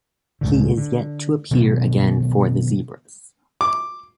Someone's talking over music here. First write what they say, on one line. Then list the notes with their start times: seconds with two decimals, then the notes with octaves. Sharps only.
He is yet to appear again for the Zebras.
0.41 C#2 A2 D3
0.77 D3
1.51 B2 D3 D#3 F#3
3.61 D6